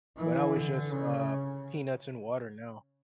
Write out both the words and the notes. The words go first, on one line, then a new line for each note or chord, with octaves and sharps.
but I was just, uh, peanuts and water now.
E3
D3
C#3